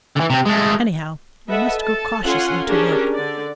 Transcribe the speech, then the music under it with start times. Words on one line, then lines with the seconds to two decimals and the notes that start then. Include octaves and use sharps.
Anyhow, we must go cautiously to work.
0.16 D3 E3
0.30 C3 C4
0.45 G#3 A3
1.49 A4 B4 D#5 E5 F#5
1.79 A4 A5
2.23 C#4 F4 A4 F#5 G#5 C6
2.67 C#4 D4 G4 G#4 A#4
3.15 D3 D5